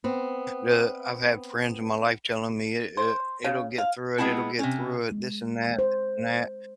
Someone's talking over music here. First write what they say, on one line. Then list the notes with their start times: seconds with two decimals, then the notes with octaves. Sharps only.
the I've had friends in my life telling me, "I I It'll get through it, it'll get through it. This and that and that."
0.04 B3 C4
2.97 C5
3.44 C#3
3.78 F5
4.18 G#3 B3 C4 E4 A5
4.59 C3 C#4
5.12 G#3
5.79 C5